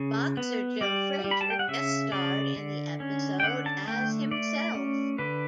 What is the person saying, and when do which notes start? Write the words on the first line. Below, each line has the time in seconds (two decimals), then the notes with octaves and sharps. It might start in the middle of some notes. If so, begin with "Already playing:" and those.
Boxer Joe Frazier guest starred in the episode as himself.
Already playing: C#3
0.37 B3
0.81 G3 D5
1.24 G3
1.31 B5
1.41 A5
1.50 G5
1.59 F#5
1.68 C#3 E5
2.12 C#3 D5
2.56 D3
3.00 C#4
3.40 G5
3.43 D3 F#5
3.66 A5
3.87 A3 G5
4.31 A3 D5
4.75 C#4
5.18 D3 B4